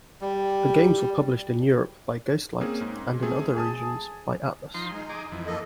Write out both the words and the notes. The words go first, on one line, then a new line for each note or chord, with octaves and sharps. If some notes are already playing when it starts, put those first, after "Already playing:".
The games were published in Europe by Ghostlight and in other regions by Atlus.
G3
A#3 C4 C#4 G#4
G#2
A3 C4 G#4 A4
G#4 G#5 A5 D#6
F3 D#4 C6
G#3 D#4
G#4 D#5 D6
F2 E3
A#3 A4 D#5